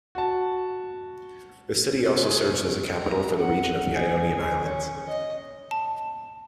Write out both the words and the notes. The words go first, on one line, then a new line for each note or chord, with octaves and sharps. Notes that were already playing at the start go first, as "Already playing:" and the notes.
The city also serves as a capital for the region of the Ionian Islands.
F#4 A5
C3 A3 B3
G#4
A#5
F#5
G#4
G#4
C#4
D#5
A5